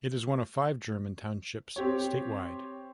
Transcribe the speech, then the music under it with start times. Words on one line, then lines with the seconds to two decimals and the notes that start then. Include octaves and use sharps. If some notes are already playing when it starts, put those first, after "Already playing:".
It is one of five German Townships statewide.
1.76 C4 G4 C#5